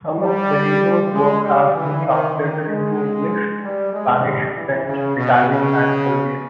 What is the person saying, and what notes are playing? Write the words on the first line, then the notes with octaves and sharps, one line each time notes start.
Some of Barreiros's work has been translated into English, Spanish, French, Italian and Serbian.
G3
G#3
G3
E3
D#3
D#3
G#3
G3
G#3
G3
E3
C#3
B2
C#3